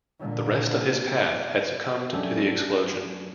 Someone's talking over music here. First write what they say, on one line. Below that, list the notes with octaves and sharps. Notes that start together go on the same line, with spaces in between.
The rest of his path had succumbed to the explosion.
A#2 D3
F#2 A3 C#4 D4 G4 E5